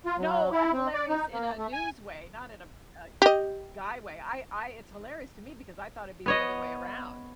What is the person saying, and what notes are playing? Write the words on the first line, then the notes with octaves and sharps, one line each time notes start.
No, eh, hilarious in a news way, not in a a eh, guy way, I I it's hilarious to me because I thought it'd be the other way around.
F4
F#3
E4
C4
D5
D#4
A#3
A3
G#5
G4 D#5
B3 C#5 D#5